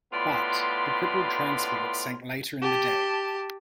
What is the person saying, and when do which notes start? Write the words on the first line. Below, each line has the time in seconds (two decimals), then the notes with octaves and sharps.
But, the crippled transport sank later in the day.
0.13 A2 B3 F4 D5 B5 C6
2.62 G4 A5